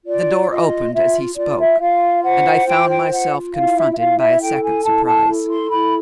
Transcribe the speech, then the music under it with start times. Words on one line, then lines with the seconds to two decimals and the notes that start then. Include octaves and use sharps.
The door opened as he spoke, and I found myself confronted by a second surprise.
0.05 F4 D5
0.50 F4 D#5
0.93 F4 E5
1.36 F4 D5
1.58 E5
1.80 F4 F5
2.23 C5 F#5
2.66 F4 G5
2.89 G5
3.10 F4 F#5
3.53 E4 F5
3.76 E5
3.92 E5
3.97 E4 F5
4.18 E5
4.40 A4 G5
4.62 G#5
4.84 E4 A5
5.05 A5
5.27 A4
5.50 C6
5.71 E4 B5